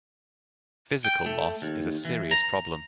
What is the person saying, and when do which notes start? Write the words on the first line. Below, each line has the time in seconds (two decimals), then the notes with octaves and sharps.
Physical loss is a serious problem.
1.05 G5
1.26 A3
1.62 D#2
2.05 E3
2.31 A#5